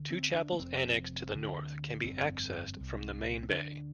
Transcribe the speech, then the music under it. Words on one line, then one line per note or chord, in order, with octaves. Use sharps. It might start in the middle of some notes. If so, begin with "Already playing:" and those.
Two chapels annexed to the north can be accessed from the main bay.
Already playing: D2 D3
C4
D4
A#3
F1 F2 C3 C4
D2 D3
G1 F2 D3 C4
C2 C3
C4
D2 D3 D4